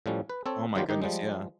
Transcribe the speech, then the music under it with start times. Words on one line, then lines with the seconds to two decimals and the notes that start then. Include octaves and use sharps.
Oh, my goodness, yeah.
0.06 A2 F3 G3 C#4
0.30 B4
0.46 C4 A4 C#5
0.75 D#3 F#3 G3 B3 F4 G4
0.89 D#3 D#4 G4
1.02 F3 G3 G#3